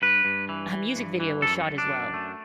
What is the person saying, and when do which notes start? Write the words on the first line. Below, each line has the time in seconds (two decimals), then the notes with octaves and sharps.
A music video was shot as well.
0.02 G2 B4
0.25 G2
0.49 E3
0.72 E3
0.96 G2
1.20 E3
1.42 F#2 A4
1.66 F#2
1.78 D4
1.90 F#2
2.14 A3